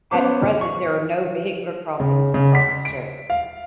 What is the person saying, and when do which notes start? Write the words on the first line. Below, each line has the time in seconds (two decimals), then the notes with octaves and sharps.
At present, there are no vehicular crossings across the strait.
0.11 B3 C#4 C5 D6
0.61 C#6
2.00 C#3
2.34 C#3
2.55 B6
2.85 D7
3.30 F5